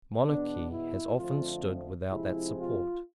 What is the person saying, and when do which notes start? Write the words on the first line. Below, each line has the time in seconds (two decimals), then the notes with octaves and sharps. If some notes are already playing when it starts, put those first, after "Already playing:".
Monarchy has often stood without that support.
0.24 E2 B2 B3 D4
0.71 E4
1.17 F2 D3 F3 A3 C4 F4
2.10 C3 F3 G#3 C4 E4
2.57 F4